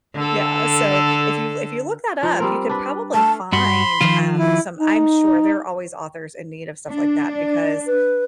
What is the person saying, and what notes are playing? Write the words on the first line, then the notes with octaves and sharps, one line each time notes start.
Yeah, so if you l if you look that up, you could probably find, um, some I'm sure, there are always authors in need of stuff like that, because
D3 A4
F3
G3 C4 A#4
D4 B4
A3 F5 A5
G2 F#4 B5 C6
D#3 F3 F4
E4
D#4
D4
D5
B4